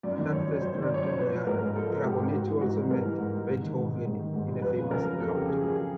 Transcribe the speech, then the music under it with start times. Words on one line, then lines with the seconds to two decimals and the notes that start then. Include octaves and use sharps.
On that first trip to Vienna, Dragonetti also met Beethoven in a famous encounter.
0.03 F#2 D5
0.18 D#3
0.32 F#2 C#5
0.47 F#3
0.61 F#2 C5
0.75 D#3
0.82 D5
0.90 F#2 C#5
1.04 F#3 C5
1.18 F3 B4
1.32 F3
1.47 G#2 A#4
1.61 G#2
1.76 F3 A4
1.90 F3
2.04 G#2 G4
2.18 G#2
2.34 G#2 F#4
2.48 E3
2.61 G#2 F#4
2.76 G3
2.90 G#2 A#4
3.04 E3
3.18 G#2
3.34 G3
3.48 G#2
3.63 D#3
3.76 G#2
3.91 G3
4.05 G#2
4.19 D#3
4.34 G#2
4.48 G3
4.62 F2 B4
4.77 C#3
4.91 F2 A#4
5.05 F#3
5.20 F2 A4
5.34 C#3 G4
5.48 F2 G#4
5.63 F#3 G#4